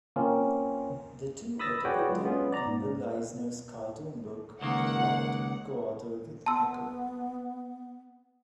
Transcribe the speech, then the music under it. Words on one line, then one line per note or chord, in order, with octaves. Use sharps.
The two are depicted in Will Eisner's cartoon book "The Plot", co-authored with Eco.
A#3 C4 C#4 F4
B5 D#6 E6 A6 A#6
F#4 G#4 B4 C#5 D5 G5
F#3 G#3 F4
B3 C#4 F4
D5 A#5
G#2
C#2 D#3 A#3 F#5
B3 A5 C6 E6